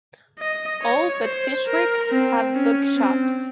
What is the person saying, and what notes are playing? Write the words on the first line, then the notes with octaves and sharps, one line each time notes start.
All but Fyshwick have book shops.
D#5
C#5
C5
A#4
C4
C#4
C4